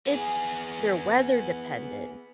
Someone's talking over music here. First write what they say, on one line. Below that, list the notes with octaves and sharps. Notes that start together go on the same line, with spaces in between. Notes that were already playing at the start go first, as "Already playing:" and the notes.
It's they're weather-dependent.
B3 G#4